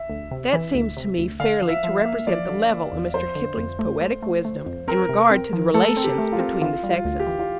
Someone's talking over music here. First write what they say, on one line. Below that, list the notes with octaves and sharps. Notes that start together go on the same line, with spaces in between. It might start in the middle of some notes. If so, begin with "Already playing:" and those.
That seems to me fairly to represent the level of Mr. Kipling's poetic wisdom in regard to the relations between the sexes.
Already playing: E5
D2
C3
E3
D2
C3
D2
D3 F5
F3
E5
F3
E5
A#3
F3 D5
D3
A#3
E2
F2 C5
D3
F2
A3
A3
A3
A3
F2
C4 A#4
C3
C4
F3
A3 A4
C4
G4
A3
F4
C4
E3 F4
G3
F4
D2
G4
E3
F4